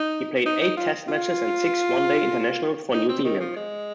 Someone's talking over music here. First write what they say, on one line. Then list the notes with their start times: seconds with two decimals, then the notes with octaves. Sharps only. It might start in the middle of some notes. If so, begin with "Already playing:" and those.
He played eight Test matches and six One Day Internationals for New Zealand.
Already playing: D#4
0.46 D#4
0.61 D#4
0.77 F4
1.08 F4
2.93 D#4
3.09 C4
3.24 D#3
3.40 F3
3.56 G#3